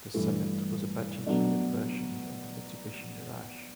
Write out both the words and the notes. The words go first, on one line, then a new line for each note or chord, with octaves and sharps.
The Summit was a badge engineered version of the Mitsubishi Mirage.
G2 E3 A3
B2 F#3 A3 D4